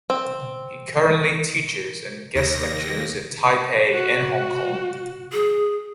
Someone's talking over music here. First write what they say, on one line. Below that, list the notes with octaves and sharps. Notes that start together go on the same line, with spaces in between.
He currently teaches and guest lectures in Taipei and Hong Kong.
C4
D#2 A#6
F#4
G#4